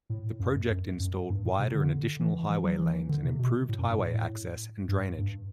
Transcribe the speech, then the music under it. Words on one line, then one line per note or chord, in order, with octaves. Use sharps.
The project installed wider and additional highway lanes, and improved highway access and drainage.
A2
F#2
F#2
F#2
F#2
G2
A2
C3
D3
E3
E3
F#3
E3
D3
C3
B2
A2
F#2
G2
A2
G2
G2